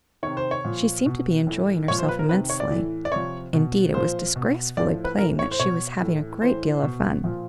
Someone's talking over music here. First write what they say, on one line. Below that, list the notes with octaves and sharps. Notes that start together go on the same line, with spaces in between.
She seemed to be enjoying herself immensely; indeed, it was disgracefully plain that she was having a great deal of fun.
C3 D#3 C#5
C5
C#5
A#2 F3
B2
A2 E3
A#2 F3 C#5
C5
B4
A#4
C3 D#3 B4
C#5
D5
A2 E3
D5
C3 F3 C#5
B2
A#2 F3 C5
B2
A2 F3 D5
B4
A2 E3 A#4
C#5
C5
B2 C#5
A2 E3
A2 E3 C5
B2
A#2 F3